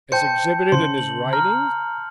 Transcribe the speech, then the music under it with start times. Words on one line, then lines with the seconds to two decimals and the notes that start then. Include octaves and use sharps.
"As exhibited in his writings?"
0.12 C5 G5 A5 G6 C#7
0.72 C#3 C5 C6
0.98 F#7
1.33 A#5 F6